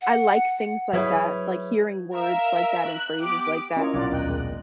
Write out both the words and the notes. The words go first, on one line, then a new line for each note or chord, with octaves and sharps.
I like things like that, like hearing words like that and phrases like that.
F#5
F#3 E4 G#4 B4 C#5 E5 G#6
A#4 E5 F5
F#6
B3 G4 D6 D7
C#4 E4 F4 A#4 C#5 D#5
B1 A#2 D4 F4 D5 F#5 D6
D#2 A#4 D#5 G5 F#6
G#3